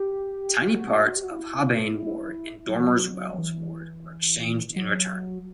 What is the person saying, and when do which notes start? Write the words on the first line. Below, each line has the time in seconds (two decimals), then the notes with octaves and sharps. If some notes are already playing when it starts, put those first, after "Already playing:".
Tiny parts of Hobbayne ward and Dormers Wells ward were exchanged in return.
Already playing: G4
0.62 F#4
1.16 G4
1.24 F#4
1.31 E4
2.69 F#3
2.78 E3
2.86 F#3
3.34 F#3
3.38 E3
4.76 F#3